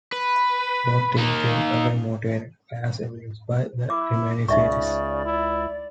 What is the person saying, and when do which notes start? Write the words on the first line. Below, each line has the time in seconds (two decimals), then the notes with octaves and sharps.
Both teams came away motivated, as evidenced by the remaining series.
0.12 B4
1.18 A#3 D#4
3.90 E4 D6
4.48 C#2 C#3 D#4 D5 E5 C#6
5.25 E4